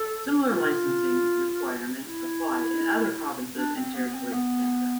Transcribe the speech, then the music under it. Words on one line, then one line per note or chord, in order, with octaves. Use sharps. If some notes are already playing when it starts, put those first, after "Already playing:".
Similar licensing requirements apply in other provinces and territories of Canada.
Already playing: A4
F4
E4
D4
C4
B3
C4
B3